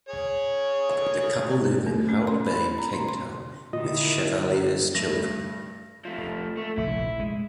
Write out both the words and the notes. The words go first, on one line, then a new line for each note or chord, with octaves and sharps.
The couple live in Hout Bay, Cape Town with Chevallier's children.
G#4 C#5
A3
C#4
C6
B5
A#5
C6
C6
A#2 D3 D#3 E4 D#5
G2 A3 A#6
F3 A3
A3
F1 A#1 C#3 E4
G#3